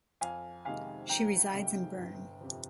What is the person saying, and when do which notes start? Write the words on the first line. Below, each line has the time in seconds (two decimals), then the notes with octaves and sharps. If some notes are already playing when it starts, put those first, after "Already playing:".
She resides in Berne.
0.21 F2 F5 G#5
0.65 C3 D#3 G#3 F5 G#5
1.09 F2 G5 A#5
1.53 C3 D#3 G#3
1.97 G1
2.41 F2 C3 F3